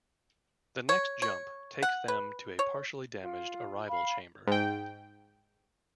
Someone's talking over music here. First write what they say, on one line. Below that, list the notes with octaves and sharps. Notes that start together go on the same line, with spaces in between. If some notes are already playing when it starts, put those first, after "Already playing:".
The next jump takes them to a partially damaged arrival chamber.
C#5
C#5
F#5
B4
C#5
F4
F5 B5
G#2 G5